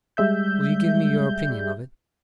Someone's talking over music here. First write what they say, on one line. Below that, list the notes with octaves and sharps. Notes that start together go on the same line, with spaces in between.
Will you give me your opinion of it?'
G3 G#3 E5 G6